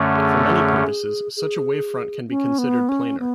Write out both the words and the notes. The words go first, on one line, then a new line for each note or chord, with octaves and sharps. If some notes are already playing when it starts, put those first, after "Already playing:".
For many purposes, such a wavefront can be considered planar.
Already playing: F#2 D3 A3 C#4
G#4
G#4
G#4
C#4
B3
C#4
B3